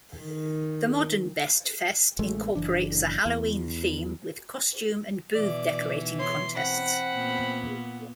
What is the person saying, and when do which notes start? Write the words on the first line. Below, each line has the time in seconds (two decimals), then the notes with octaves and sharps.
The modern Best Fest incorporates a Halloween theme with costume and booth-decorating contests.
0.21 D#3
2.19 A1 G#3 A3
2.55 F#1 E3 D4
3.26 E2
5.35 B2 E3 D5
6.19 C#5 C6
6.55 C4 F#5 B5
7.12 A#2 B3